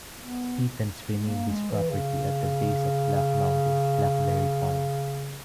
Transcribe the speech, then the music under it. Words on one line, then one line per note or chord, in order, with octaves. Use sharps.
Stephens renamed his property at the base of Black Mountain "Blackberry Farm".
B3
G#3
A#3
G#3
E3
C#3